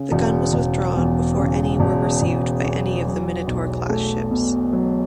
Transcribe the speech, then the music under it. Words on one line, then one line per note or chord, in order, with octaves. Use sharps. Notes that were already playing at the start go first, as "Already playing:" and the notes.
The gun was withdrawn before any were received by any of the "Minotaur"-class ships.
Already playing: C#3
E1
E1
E2
C#3
E1
E1
E2
F#3
B1
A3
B2
F#3